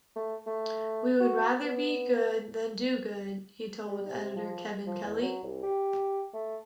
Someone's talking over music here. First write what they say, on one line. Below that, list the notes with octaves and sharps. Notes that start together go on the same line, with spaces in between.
"We would rather be good than do good", he told editor Kevin Kelly.
A3
A3
F#4
B3
G3
C3
F3
F3
E2
F#3
C2
G4
A3